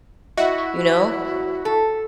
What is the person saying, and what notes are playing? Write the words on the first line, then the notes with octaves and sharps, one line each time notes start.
you know?
E4 F#4 D#5 E5
A4